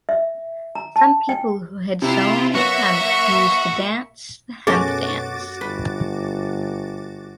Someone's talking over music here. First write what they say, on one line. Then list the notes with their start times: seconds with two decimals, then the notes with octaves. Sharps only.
Some people who had sown hemp used to dance the hemp dance.
0.09 E5
0.75 A#5
0.96 A5
1.29 G5
2.02 C3 E4 F4
2.55 F#3 A#3 B3 F#4 E5 C#6
4.67 F#2 B2 A3 C#4 F#4 G#4 D6 A6
5.61 G1 B4